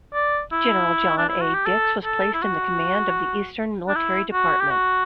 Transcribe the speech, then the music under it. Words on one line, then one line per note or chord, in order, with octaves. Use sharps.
General John A Dix was placed in the command of the Eastern Military Department.
D5
E4
D4
E4
F#4
G4
A4
A4
E4
F#4
D4
E4
F#4
G4
F#4